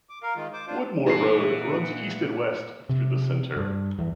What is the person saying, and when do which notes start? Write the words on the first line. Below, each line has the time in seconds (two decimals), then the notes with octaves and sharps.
Woodmore Road runs east and west through the center.
0.09 D6
0.23 A#4 F5
0.36 D#3 G#3 F4
0.53 C5 D6
0.67 D4 F4 C5
1.06 A#2 E3 D#4 F#5 C7
2.89 C3
3.56 G2
3.98 E2